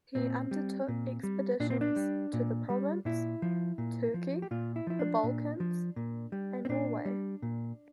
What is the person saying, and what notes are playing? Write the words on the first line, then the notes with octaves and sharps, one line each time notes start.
He undertook expeditions to the Provence, Turkey, the Balkans, and Norway.
A#2 C4
G3
A#2
G3
A#2 D4
C4
D4
G3
A#2
G3
A#2 E4
F3
A#2
F3
G4
A#2 F4
E4
F3 E4
D4
A#2
F3
A#2
G3
C4
A#2 D4
G3
A#2